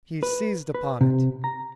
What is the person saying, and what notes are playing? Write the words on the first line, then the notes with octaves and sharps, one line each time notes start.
He seized upon it.
B4
B4
C3
A#5